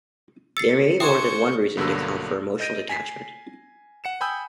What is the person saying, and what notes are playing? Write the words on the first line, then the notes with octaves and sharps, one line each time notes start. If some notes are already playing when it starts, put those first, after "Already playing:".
There may be more than one reason to account for emotional detachment.
E6 A6 C7 C#7
D4 C5 E5 G5 G#5 C#6 D#6 G6
B1 G2 D3 F#3 A#3 E6
D#5 G6 A#6 D7 D#7
G#5 B6 C7
F#5 C#7 E7
G5 G#5 B5 D#6 E6 G6